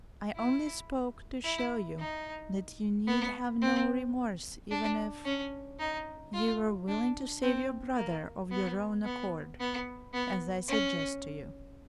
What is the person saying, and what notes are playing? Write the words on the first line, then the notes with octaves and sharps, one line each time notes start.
I only spoke to show you that you need have no remorse even if... you were willing to save your brother of your own accord, as I suggest to you.
E4
E4
D#4
B3
C4
D4
C#4
D#4
F4
D4
C4
A#3
B3
B3
B3
B3
C#4